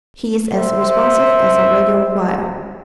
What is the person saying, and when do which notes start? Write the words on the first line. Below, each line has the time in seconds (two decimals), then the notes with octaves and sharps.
He is as responsive as a radio wire.
0.53 C5 E5